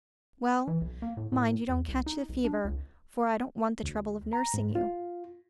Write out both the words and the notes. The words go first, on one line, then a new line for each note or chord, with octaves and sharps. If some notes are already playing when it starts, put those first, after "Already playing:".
'Well, mind you don't catch the fever: for I don't want the trouble of nursing you.'
E3
B1
A#3
A2
A2
E2
C2
D#4
B1
D4
C#2
D2
A#5
G#2
F4